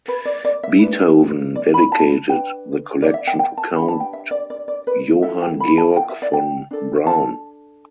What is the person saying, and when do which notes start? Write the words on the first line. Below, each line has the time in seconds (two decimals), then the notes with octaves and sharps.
Beethoven dedicated the collection to Count Johann Georg von Browne.
0.08 B4
0.25 D5
0.44 D5
0.63 E5
0.81 D4 B4
1.55 D5
1.74 B5
1.92 A5
2.28 D4 B4 G5
3.02 D5
3.14 E5
3.27 G5
3.39 G5
3.57 A5
3.75 B4 B5
3.78 D4 G4
3.88 A5
4.00 G5
4.13 E5
4.31 D5
4.50 D5
4.68 D5
4.87 B4
5.23 E4 A4 E5
5.42 G5
5.60 B5
5.78 A5
5.97 G5
6.09 E5
6.22 D5
6.33 G5
6.71 D4 A4
7.07 A5